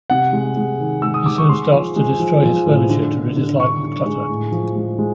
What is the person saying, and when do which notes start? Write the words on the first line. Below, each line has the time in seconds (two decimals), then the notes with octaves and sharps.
He soon starts to destroy his furniture to rid his life of clutter.
0.10 C3 F#5
0.33 G#3
0.57 G#3
0.80 D#3
1.02 G#3 E6
1.14 D#6
1.26 G#3 D6
1.38 C#6
1.49 G#3 C6
1.73 F3
1.96 G#3
2.19 F3
2.43 F3
2.66 A2
2.89 D3
3.12 D3
3.36 D3
3.59 D3 C#6
3.83 D3
4.05 G#3
4.29 A2
4.52 F3
4.76 G#3
4.99 G#3